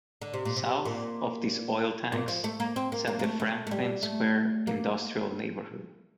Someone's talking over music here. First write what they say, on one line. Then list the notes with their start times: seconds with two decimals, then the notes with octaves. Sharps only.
South of these oil tanks sat the Franklin Square industrial neighborhood.
0.22 D3
0.34 C3
0.45 A#2
0.57 C3
0.85 A#2
2.12 A#2
2.28 F3
2.44 A3
2.60 A#3
2.76 C4
2.92 A#3
3.07 A#3
3.19 A#3
3.24 A3
3.40 A3
3.67 A3
3.71 G3
4.03 A3
4.67 A#3